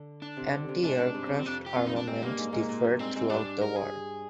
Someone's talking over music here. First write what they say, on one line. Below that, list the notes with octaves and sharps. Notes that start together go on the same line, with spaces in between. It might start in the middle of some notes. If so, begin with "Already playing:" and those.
Anti-aircraft armament differed throughout the war.
Already playing: D3
D4
C3
D3
C3
G#2 D4
G2
F2
C4
F2 D4
G4
F2 F4
D#4
G2 D4
G#2 C4
G2 A#3
G#2
G#2
A#2
G2
G#2 C4
G#2
G2 D4
A#4
G#4